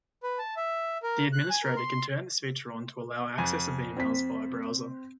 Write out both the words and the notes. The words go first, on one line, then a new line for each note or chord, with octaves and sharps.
The administrator can turn this feature on to allow access of emails via browser.
B4
A5
E5
A#4
F#6
G#5
A#4
C6
F2 G#5
C4 B6